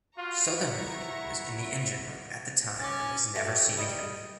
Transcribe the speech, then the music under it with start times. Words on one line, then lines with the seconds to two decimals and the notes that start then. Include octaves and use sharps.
Southernwood was in the engine room at the time and was never seen again.
0.18 F4 F#4 F5 A#5 C#6
0.57 E4 E5 F#5
2.80 C#4 D6 A6
3.35 A3 F#4 G4
3.77 G3 A#4 D#5